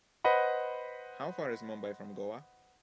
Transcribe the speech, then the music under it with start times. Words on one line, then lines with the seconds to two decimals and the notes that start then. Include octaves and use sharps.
How far is Mumbai from Goa?
0.24 B4 C5 D#5 F#5 B5